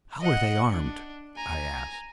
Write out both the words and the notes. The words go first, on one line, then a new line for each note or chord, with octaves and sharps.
"How are they armed?" I asked.
D#5 F#5
D4
G#5 A#5